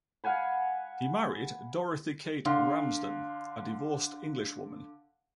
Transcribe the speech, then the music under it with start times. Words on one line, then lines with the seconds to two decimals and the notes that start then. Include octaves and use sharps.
He married Dorothy Kate Ramsden, a divorced Englishwoman.
0.24 F5 F#5 G#5 B5
2.45 D3 F5 C6